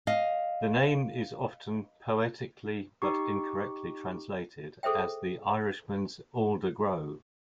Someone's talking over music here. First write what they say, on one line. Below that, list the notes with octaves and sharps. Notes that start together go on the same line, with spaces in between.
The name is often "poetically", but incorrectly, translated as "The Irishman's Alder Grove".
D#5 F5
D#4 G4 C#6
G#4 A4 C5 E5 G5